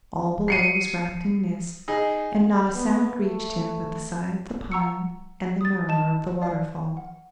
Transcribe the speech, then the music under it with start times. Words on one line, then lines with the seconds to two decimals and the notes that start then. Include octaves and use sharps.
All below was wrapped in mist, and not a sound reached him but the sigh of the pine, and the murmur of the waterfall.
0.48 C7 C#7 D#7
1.88 D#4 G#4
2.75 B3
3.19 A3
4.72 F#5 A#5 C#6 E6 C#7
5.61 D#6 A6
5.88 D#5 A5 E7
6.42 D5 F5
6.97 F#5